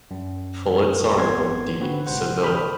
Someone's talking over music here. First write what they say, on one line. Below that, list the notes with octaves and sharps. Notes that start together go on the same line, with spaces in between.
Felizardo D. Sevilla.
F#2
G#1 G#2 B3 C4 C6 G#6
D3 C4 F#4 B4
G#1 G#2 C3 C5 F#5
A4 C5 G5 B5 D#6 F6